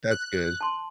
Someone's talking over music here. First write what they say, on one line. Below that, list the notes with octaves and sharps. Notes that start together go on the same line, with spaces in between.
That's good.
F#6
A5 C6